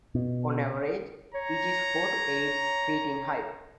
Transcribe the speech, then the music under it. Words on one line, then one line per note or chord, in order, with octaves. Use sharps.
On average, each is four to eight feet in height.
B2
C#5 A#5